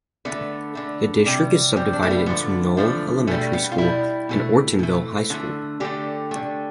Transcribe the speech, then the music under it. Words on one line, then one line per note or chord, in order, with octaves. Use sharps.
The district is subdivided into Knoll Elementary School and Ortonville High School.
D3 A3 B3
D3 A3
C3 G3
C3 G3 C4
D4
A3
B3
D3 F3 A3 B3
D3 F3 A3
B2 G3 A3
B3
F4
B2 G3 E4
B2 A3
B2 A3
D3 A3
D3 A3 G4
D3 A3